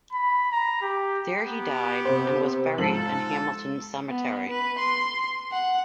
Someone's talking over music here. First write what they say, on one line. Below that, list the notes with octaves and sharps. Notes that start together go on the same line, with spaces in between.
There he died and was buried in Hamilton cemetery.
B5
A#5
G4
B3 G4
C3 C5
G#2 F3 A4 F#7
B3
B4
C6
F#5